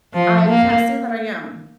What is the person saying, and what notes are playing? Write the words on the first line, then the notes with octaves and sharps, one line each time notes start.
I can't say that I am.
F3
A#3